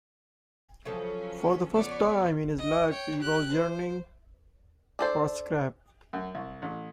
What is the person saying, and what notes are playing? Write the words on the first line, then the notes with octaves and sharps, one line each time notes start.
For the first time in his life he was yearning for a scrap.
C#3 F3 F#3 C#4 A4
B3 C#5 D5
D#5
C#5 G5
G4 F#6
C5
D4 A4 C5
F#2
C2
A1